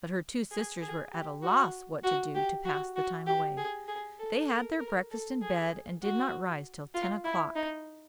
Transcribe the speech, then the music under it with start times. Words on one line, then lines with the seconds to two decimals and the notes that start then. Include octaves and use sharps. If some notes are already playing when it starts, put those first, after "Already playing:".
But her two sisters were at a loss what to do to pass the time away: they had their breakfast in bed, and did not rise till ten o'clock.
0.51 G#4
0.82 G#4
1.13 G4
1.43 F#4
2.03 F#4
2.35 G4
2.65 F#4
2.96 F#4
3.26 G4
3.57 G#4
3.88 G#4
4.19 A4
4.49 A#4
4.80 A#4
5.11 A4
5.42 G#4
6.02 F#4
6.94 F4
7.24 E4
7.55 D#4